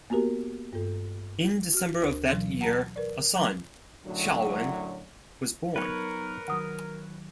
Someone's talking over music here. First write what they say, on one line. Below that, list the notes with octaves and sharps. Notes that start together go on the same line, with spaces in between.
In December of that year, a son, Hsiao-wen was born.
A#3 B3 F#4 G4 A#4
G2 A4
F#4 F6
D2 D4 A#4 C5
B2 E3 F#3
F#5 A5 A#5
A#4 B4 D5
F#3 A#5
F#2 A2 D3 F#3
F#3 B3 D#4 A#4 B4 C#5
D#3 F#3 F#5 D#6